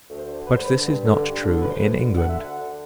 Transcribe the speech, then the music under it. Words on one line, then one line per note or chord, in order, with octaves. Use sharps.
But this is not true in England.
D2
C5
D3
G2 B4
C5
D3 B4
G2
D3
G2
D3
D2 B4
C5
D3 B4
D2
D3 F#5
E5
D2 F#5
D3